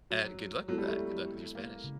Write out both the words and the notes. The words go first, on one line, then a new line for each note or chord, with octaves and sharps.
And good luck with that. Good luck with your Spanish.
F#3
F#3 G#3 B3 E4 A4
G3
A3
A#3
C#3